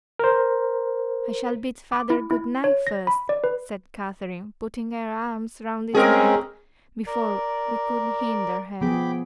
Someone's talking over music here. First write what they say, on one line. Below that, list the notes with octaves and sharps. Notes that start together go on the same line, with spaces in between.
'I shall bid father good-night first,' said Catherine, putting her arms round his neck, before we could hinder her.
A#4 C5
D6
E4
E4
C#5
A#6
B5
D5
B4
G#3 C4 C#4 G#4 A#4
A#4 D5
F3 B3 G#4 G5 B5 D6